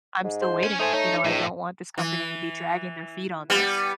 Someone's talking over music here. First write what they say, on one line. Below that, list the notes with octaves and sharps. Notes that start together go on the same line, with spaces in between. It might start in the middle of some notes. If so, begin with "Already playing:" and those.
I'm still waiting. You know? I don't want this company to be dragging their feet on this.
G#2
C5
C#4 G#5
A3 D#4 C5 G#5
D#4 C#5
C#2 A2 D#4
E3
G3 B3